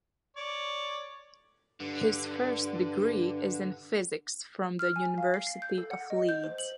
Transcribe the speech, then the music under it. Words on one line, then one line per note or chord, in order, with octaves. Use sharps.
His first degree is in Physics from the University of Leeds.
C#5 D5
G2 D3
F6
G#5
F5
C7
C7
G6
A4
F#5
D#5
G6
C5
F#7